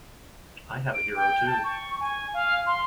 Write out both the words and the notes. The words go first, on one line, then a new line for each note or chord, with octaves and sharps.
I have a hero too.
D7
G5
A5
C#6
G#5
F5
C6